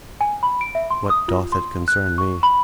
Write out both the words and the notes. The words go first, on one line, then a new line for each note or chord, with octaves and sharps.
What doth it concern me?
G#5
B5
D7
E5
C6
D#6
F4
C6
F#6
C#6
B5